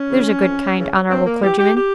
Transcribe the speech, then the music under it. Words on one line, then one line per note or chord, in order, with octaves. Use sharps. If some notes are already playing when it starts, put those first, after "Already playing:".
There's a good, kind, honourable clergyman.'
Already playing: C#4
C#3 E3
F2
C#3 E3
G2 C4
A#3
E3 G4
G4
G4